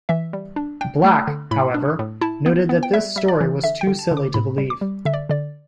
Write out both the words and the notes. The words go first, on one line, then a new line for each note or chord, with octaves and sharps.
Black, however, noted that this story was too silly to believe.
E3 E5
G3
D4
D4 G5
A3
D3
A2 B5
D4
A2
E4 A5
B3
B3
G5
G3 E5
G3 E5
D5
E3
D3 E5
G5
D3
A5
D3
D6
A2 B5
G3
D6
G3
D3 E5
D5
D3 D5